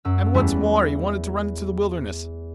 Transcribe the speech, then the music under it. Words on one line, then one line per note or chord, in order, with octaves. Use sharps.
And what's more, he wanted to run into the wilderness!
F#2 E6
E2 G3 A3 E4